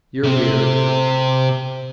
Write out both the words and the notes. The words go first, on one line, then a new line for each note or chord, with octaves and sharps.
You're here!
C3 C4